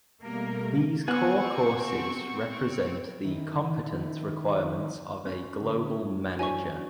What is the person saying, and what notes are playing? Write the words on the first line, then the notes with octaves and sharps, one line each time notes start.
These core courses represent the competence requirements of a global manager.
B2 G3 A3 A#3 A#4
B3 C4 F#5 G#5 C#6
D#3 E4
C#4
D3
F#2
F#3 D4 E4 G#5 C#6